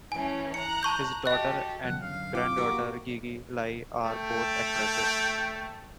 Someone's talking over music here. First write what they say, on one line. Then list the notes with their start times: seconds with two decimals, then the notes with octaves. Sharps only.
His daughter and granddaughter Gigi Lai are both actresses.
0.12 E3 A3 C#4 G#5
0.54 A#5 F#6 C#7
0.83 A5 C#6 G6
1.26 F#4 G4 A4 D#5 F#6
1.84 C#3 F3 F#3 F#5
2.02 G1 F#2 F5
2.35 F4 G5 D6
2.57 A#3 F#4 G4
4.05 A3 G5